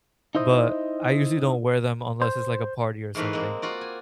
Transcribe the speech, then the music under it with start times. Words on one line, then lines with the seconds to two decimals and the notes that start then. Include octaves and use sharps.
but I usually don't wear them unless it's, like, a party or something.
0.35 D#4 E4 C5 D#5
2.22 C5
3.15 G#2 E3 A3 A#4 B4 F5
3.33 G#3 A#3 C4
3.62 F4 F#4 D5
3.81 G#5